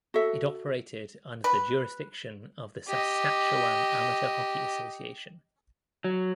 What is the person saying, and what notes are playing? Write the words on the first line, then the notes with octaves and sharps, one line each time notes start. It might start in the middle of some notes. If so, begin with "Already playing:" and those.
It operated under the jurisdiction of the Saskatchewan Amateur Hockey Association.
F#4 A4 E5
B4
G4 D#5
F#3